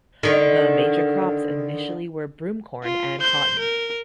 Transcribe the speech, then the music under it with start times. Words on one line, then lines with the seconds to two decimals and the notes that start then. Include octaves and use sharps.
The major crops initially were broomcorn and cotton.
0.23 D3 D#3
2.83 F4
3.21 C5 G6
3.59 A#4